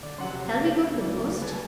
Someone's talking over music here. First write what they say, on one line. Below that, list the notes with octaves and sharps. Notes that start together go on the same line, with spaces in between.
Shall we go to the post?
D3 D5
C3 F3 F#3 C#4 F#5 C6
C#3
D2 F#3 D5
G3 B4 G#5 A5